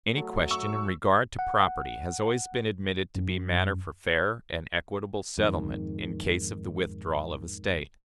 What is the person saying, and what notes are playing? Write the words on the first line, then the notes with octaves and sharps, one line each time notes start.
Any question in regard to property has always been admitted to be matter for fair and equitable settlement, in case of the withdrawal of a State.
F#3 A3
C#6 E6
F#5
F#2
F2 G#2 D#3